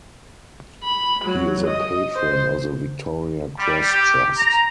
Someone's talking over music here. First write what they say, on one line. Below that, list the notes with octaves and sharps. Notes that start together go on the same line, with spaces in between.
He is a patron of the Victoria Cross Trust.
B5
F#3
D#5
C5
G3
G4
A#5